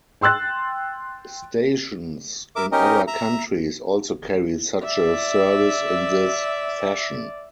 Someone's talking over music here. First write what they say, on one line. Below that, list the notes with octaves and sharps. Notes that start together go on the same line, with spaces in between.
Stations in other countries also carry such a service in this fashion.
G5 C6 E6 F#6 A6
A#4 E5 D6
C#4 D#4 G4 A#4 D#5
E5 A#5
D5 E5